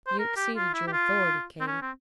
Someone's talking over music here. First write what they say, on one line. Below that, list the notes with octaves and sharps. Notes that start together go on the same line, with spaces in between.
"You exceeded your authority, Katie."
C5
A#4
G4
F4
E4
G4
F4
C4
C#4
C4